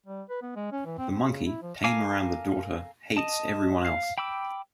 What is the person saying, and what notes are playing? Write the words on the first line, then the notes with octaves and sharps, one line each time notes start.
The monkey, tame around the daughter, hates everyone else.
G3
B4
B3
G#3
C#4
E3
C4
C4
C#3
E4
F3
A4 A#4 F5 G#5 D6
D#5 A5
F5
G5 B5 D6 E6